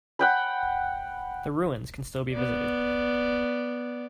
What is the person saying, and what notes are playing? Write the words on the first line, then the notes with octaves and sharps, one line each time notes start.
The ruins can still be visited.
F#5 G5 B5
B3 D5